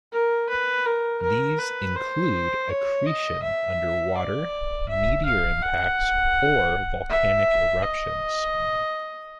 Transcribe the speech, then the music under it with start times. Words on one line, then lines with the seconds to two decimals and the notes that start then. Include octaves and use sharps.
These include accretion under water, meteor impacts, or volcanic eruptions.
0.12 A#4
0.49 B4
0.86 A#4
1.22 A#4
1.59 B4
1.96 C5
2.69 C#5
3.06 D#5
3.42 E5
4.16 D5
4.89 E5
5.26 F5
5.63 F#5
7.09 E5
7.82 D#5